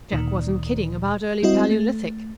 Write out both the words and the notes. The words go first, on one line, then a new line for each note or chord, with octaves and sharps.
Jack wasn't kidding about early Paleolithic.
D2 A#2 D#3
G3 C4 E4 F#4 D#5
A3